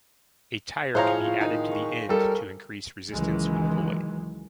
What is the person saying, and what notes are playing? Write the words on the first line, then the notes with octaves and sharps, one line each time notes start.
A tire can be added to the end to increase resistance when pulling.
A2 F3 G#3 F4 C5 C#5 F5 A#5
D#3 D#4
C#6
G3 A4 A#4
C#2 D#3 E3 F#3 G#3